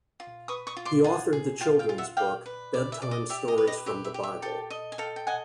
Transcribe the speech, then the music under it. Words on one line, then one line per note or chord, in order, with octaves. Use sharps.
He authored the children's book, "Bedtime Stories from the Bible".
F4
B4 C#6 D#6
C#6 D#6
F4
C6 D6
F4 F#5 G#5
G#4
F4 F5 G5
F5 G5
F4
E5 F#5
D5 F5 G5
B4
D5
E5
D5
D#5
G4 E5
D#5
B4
D#5
G4 E5
E5
G4
E5
A4 G5 A5
D#5
G#5
A4 F5 G5
G5
D#5 F#5 G#5